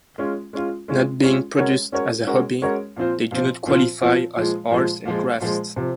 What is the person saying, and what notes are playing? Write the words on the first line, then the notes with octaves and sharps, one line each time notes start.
Not being produced as a hobby, they do not qualify as arts and crafts.
G#3 C#4 F4
G#3 C#4 F4
G#3 C#4 F4
G#3 C#4 F4
G#3 C#4 F#4 A#4 C#5
G#3 C#4 F#4 A#4 C#5
G#3 C#4 F#4 A#4 C#5
G#3 C#4 F#4 A#4 C#5
A#2 F3 C4 F4 C5
A#2 F3 C4 F4 C5
A#2 F3 C4 F4 C5
A#2 F3 C4 F4 C5
A#2 F3 G#3
A#2 F3 G#3
A#2 F3 G#3
A#2 F3 G#3
C3 F3